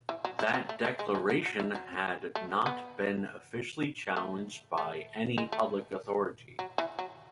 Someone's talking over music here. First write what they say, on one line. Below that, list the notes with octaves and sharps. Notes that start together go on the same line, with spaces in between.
That declaration had not been officially challenged by any public authority.
E3
F#3
E4
F#3
A3
A3
G#3
G#3
F#3
F#3
E3
F#3
A3
B3
A3
A3
G#3
A3
F#3
E3
F#3